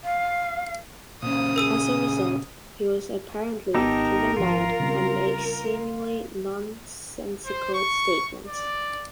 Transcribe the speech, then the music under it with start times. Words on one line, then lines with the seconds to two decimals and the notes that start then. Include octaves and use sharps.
As a result, he was apparently driven mad and makes seemingly nonsensical statements.
0.04 F5
1.23 D2 A#2 C#3 A#3 C#4 C5 D#6
1.56 D2 G#4 A#4 E6 D#7
3.75 G#1 B3 D#4 G4 A4 A#4
4.37 G#1 F3 F4
4.80 C#3 G3 C4
7.46 C5
7.74 C#6
8.47 D5